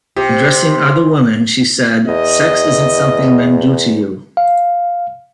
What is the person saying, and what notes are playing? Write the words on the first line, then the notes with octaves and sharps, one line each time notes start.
Addressing other women, she said, Sex isn't something men do to you.
C3 G4
E2 D#5
F5